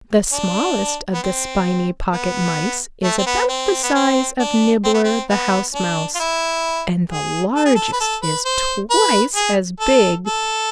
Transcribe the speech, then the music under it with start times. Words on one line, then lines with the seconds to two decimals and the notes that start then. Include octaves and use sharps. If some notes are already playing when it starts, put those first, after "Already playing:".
The smallest of the Spiny Pocket Mice is about the size of Nibbler the House Mouse and the largest is twice as big.
0.33 D4
1.14 B3
1.24 C4
2.13 B3
3.03 A3
3.18 C4
3.26 B3
3.49 C4
3.83 B3
3.94 C4
4.40 D4
4.85 C4
4.94 B3
5.04 C4
5.30 B3
5.74 D4
6.15 F4
6.20 E4
7.10 G#4
7.55 A4
7.65 G#4
7.75 A4
7.93 B4
8.00 A4
8.23 B4
8.45 C5
8.90 B4
9.36 G#4
9.80 A4
10.26 A4